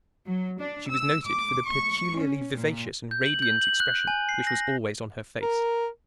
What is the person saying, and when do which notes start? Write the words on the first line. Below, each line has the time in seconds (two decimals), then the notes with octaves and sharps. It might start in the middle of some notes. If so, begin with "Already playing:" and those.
She was noted for the peculiarly vivacious and radiant expression which was always on her face.
0.26 F#3
0.59 D4
0.88 E6
1.25 D6
1.67 C#6
2.16 C#4
2.54 A#2
3.11 G6
3.26 F#7
3.42 G6
3.61 F#7
3.80 F#6
4.07 G#5
4.29 C7
4.47 A#6
5.42 A#4